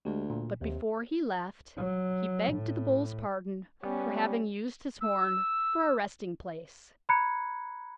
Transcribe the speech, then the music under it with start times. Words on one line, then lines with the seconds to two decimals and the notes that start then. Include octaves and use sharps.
But before he left he begged the Bull's pardon for having used his horn for a resting place.
0.05 D2 G#3 G4
0.30 A#2
0.61 D#2 C3
1.77 F#3
2.54 A2
3.84 G3 B3 C#4
5.01 E6
7.09 A#5 B5 F#6 G#6 C#7